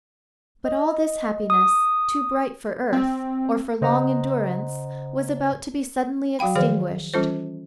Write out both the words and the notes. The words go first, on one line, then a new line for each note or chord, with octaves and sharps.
But all this happiness, too bright for earth, or for long endurance, was about to be suddenly extinguished.
D#5
D#6
C4
C#3 C5 D#5 F#5 A#5
F#3 F#4 F5 G5 B5
D#3 F3 G#4 C5 F5
E3 G3 C#4 F4 A4 C5